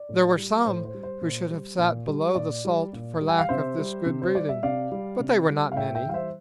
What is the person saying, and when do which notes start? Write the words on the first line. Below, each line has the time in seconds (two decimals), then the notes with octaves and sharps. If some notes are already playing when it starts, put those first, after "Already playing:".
There were some who should have sat below the salt for lack of this good breeding; but they were not many.
Already playing: D5
0.09 A2
0.37 G3
0.65 A2 C5
0.85 C5
0.94 G3
1.03 C5
1.22 A#2
1.50 G3
1.78 A#2
2.07 G3
2.35 A#2 D5
2.65 G3
2.93 A#2
3.21 G3
3.28 G5
3.39 F5
3.49 C3 C5 E5
3.78 G3
4.06 C3
4.22 C5
4.35 G3 D5
4.49 E5
4.63 C3 D5 F5
4.92 G3
5.19 C3
5.49 G3
5.72 F5
5.76 A2 E5 G5
5.95 E5 G5
6.05 E3 G3 F5
6.14 C5 E5